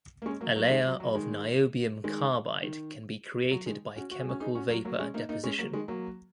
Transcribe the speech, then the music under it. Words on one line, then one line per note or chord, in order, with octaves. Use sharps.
A layer of niobium carbide can be created by chemical vapor deposition.
A#3
G#3 C#4
F#3 A#3
F#3 A#3
D#3 G#3
F#3
F#3
D#3 G#3
D#3 G#3
D#3
F#3
D#3 G#3
C#4 F#4
F#4
G#4
C#4 F#4
D#4 G#4
C#4 F#4
F#3 A#3
F#3 A#3
G#3 C#4
A#3 D#4
A#3 D#4
G#3 C#4
F#3 A#3
D#3 G#3
F#3 A#3